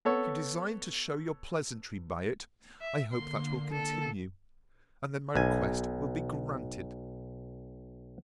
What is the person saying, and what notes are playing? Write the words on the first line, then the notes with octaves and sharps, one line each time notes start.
If you designed to shew your pleasantry by it, I hope that will continue; and then my request will be granted.
B3 A4 C#5
E5
D3 A#3 C6
A4
B1 G#5